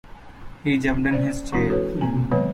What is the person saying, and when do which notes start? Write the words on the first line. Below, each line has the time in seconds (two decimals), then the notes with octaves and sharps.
He jumped in his chair.
1.11 C#4 C5 D5
1.52 E3 G#3 C4 D4 E4 F#4
1.70 F#4 A4 B4 C#5
2.01 A#3 C4 G#5
2.31 D#3 F#3 G#3 B3 B4 C#5